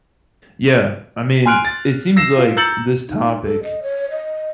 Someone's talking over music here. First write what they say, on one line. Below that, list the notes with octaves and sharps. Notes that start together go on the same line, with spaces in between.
Yeah. I mean, it seems like this topic
G#5 C6 F6 F#6 D7
A6
E6 A#6 C7 E7
F4
A#5 E6 G6 A6 C#7 F#7
D#4
A4
D#5
C#5
D#5